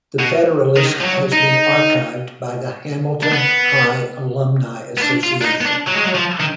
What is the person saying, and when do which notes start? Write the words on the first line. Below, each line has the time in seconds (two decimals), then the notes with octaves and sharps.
The Federalist has been archived by the Hamilton High Alumni Association.
0.19 B2
0.77 D#3
1.01 F3
1.04 F#3
1.32 D#4
3.23 D4
3.32 B3
4.97 B3
5.02 D4
5.23 F4
5.41 D4
5.45 D#4
5.61 B3
5.66 D4
5.87 F#3
5.96 G#3
6.04 F#3
6.15 F3
6.40 D#3